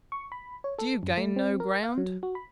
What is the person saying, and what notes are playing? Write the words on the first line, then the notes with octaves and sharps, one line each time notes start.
"Do you gain no ground?"
C#6
B5
C#5
A4
F#2
A3
C4
A#4
F5
F#3
F#4
B5